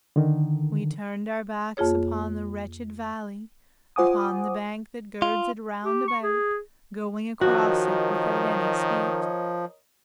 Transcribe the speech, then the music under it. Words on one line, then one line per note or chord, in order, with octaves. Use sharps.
We turned our backs upon the wretched valley, Upon the bank that girds it round about, Going across it without any speech.
D3 D#3
F2 A#3 F4 G#4 C#5
F4 C5 F#5 G#5 D6 D#6
F4
G4
C#6
G#4
D#3 F3 F#4 A#4 C#5 D#5